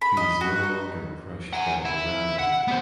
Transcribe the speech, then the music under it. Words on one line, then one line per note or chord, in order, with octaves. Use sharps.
He’s no longer crushed by morality.
B5
D#5
F#4
D#4
F#5 G#5
E4
F#5
B3 C5